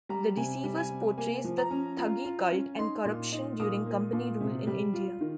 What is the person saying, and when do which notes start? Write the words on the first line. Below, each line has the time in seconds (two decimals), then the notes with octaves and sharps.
The Deceivers portrays the thuggee cult and corruption during Company rule in India.
0.09 G3 A#5
0.36 C3 G#5
0.64 G3
0.77 G#5
0.90 C3
1.18 A#3 G#5
1.44 F3
1.58 A#5
1.71 C#4
1.98 F4
2.25 F4
2.52 C#4
2.78 D#4 C6
3.05 A#2
3.32 D#4
3.60 A#2 D#6
3.86 A#3
4.13 A#2
4.40 C3
4.67 G3
4.94 F4
5.21 D#3